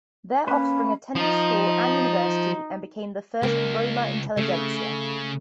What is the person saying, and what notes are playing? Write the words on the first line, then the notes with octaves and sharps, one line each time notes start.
Their offspring attended school and university and became the first Roma-intelligentsia.
A#3 C#4 B4
F3 D#4
C#2 A#3
C#3 A3